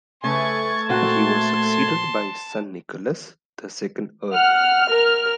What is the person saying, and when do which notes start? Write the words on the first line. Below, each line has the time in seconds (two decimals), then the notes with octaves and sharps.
He was succeeded by his son, Nicholas, the second Earl.
0.24 C#3 A3 B4 G#5 C#6 G#6 A6
0.89 A#2 C4 F#4 A5 C6
4.34 F#5 F6
4.90 A#4